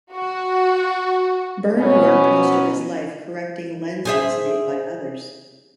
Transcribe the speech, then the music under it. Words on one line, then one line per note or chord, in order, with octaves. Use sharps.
Byrne worked most of his life correcting lenses made by others.
F#4
B2 F#3 B3 C#4
G#4 C5 E5